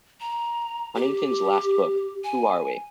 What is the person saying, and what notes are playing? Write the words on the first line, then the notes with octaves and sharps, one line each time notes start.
Huntington's last book, Who Are We?
A#5
G4
G#5